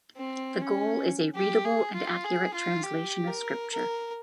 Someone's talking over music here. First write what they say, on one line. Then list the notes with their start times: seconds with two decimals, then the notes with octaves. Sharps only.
The goal is a readable and accurate translation of Scripture.
0.17 C4
0.62 C#4
1.35 G4
1.65 G#4
1.94 F4
2.24 G#4
2.54 F4
2.84 G4
3.28 A#4
3.73 A#4